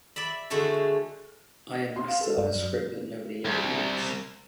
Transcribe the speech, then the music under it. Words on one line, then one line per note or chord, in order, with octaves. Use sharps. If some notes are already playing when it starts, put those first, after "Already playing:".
I am master of a script that nobody yet reads.
D5 E5 B5
D3 G#3 A3 D4 F#4
C6
F5
A4
G2 D5
F#2
C2